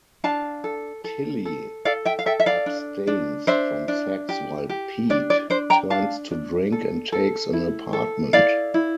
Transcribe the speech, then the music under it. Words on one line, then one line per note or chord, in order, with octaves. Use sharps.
Tillie abstains from sex while Pete turns to drink and takes an apartment.
D4 F5 A5
A4
A4
A4
A4 D5 F5
E5 G5
F5
A4 E5 G5
E5
D5 F5
D4
D4
D4 C5 E5
D4
G4
G4
D4 D5
D5
D4 C5
G5 A#5
D4 F5 A5
D4
A4
A4
E4
A4
E4 D5 F5
E4